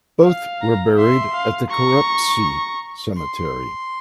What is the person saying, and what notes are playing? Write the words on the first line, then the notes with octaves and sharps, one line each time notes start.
Both were buried at the Kerepesi Cemetery.
F5
A#5
E5 C6
F5
A#5 C#6
C6